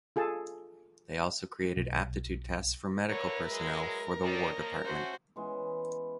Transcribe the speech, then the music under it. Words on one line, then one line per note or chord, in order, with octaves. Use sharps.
They also created aptitude tests for medical personnel for the War Department.
F4 G#4 A4 A5
B1
D3 A#4 B4 C#5 E5
F#3 G#3
D#3 G3 D4 C#5 D#5
F3 A#3
A3 C#4 F#4 C5
E3 G#3 B3 C#4